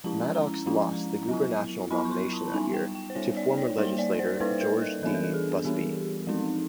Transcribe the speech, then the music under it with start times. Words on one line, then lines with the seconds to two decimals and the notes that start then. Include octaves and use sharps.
Maddox lost the gubernatorial nomination that year to former legislator George D. Busbee.
0.04 F3 G#3 C#4 E4 A5
0.35 A#5
0.66 F3 G#3 C#4 E4
1.29 F#3 B3 E4
1.91 F#3 B3 E4 B5
2.05 C#6
2.11 C6
2.33 A5
2.53 G3 B3 D#4 G#5
2.73 G5
2.95 G5
3.10 C5
3.15 G3 B3 D#4 C#5
3.37 D5
3.51 D5
3.57 C#5
3.77 G3 A#3 D#4 C5
3.98 D5
4.19 C5
4.40 G3 A#3 D#4 B4
4.61 A#4
4.82 A4
5.03 E3 G3 B3 D4 A4
5.14 A#4
5.24 A4
5.34 G#4
5.65 E3 G3 B3 D4 G4
6.27 F3 G#3 C4 D#4